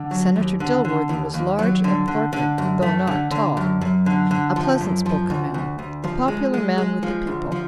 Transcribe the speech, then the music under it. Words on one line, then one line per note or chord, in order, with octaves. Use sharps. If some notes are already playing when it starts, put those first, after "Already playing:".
Senator Dilworthy was large and portly, though not tall--a pleasant spoken man, a popular man with the people.
Already playing: D3
F#3
D#2
D3
D3
D#2
D#2
F#3
D3
D3
D3
F#2
A3
D3
D3
F#2
F#2
D3
D3
F3
F#2
F3
D2
D2
D2
F3
G#3
G#3
G#3
F3
D2
F3